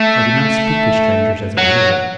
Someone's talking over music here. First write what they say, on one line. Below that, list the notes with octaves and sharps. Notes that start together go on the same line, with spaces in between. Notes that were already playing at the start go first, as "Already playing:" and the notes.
I do not speak to strangers as a rule.
Already playing: A3
F#3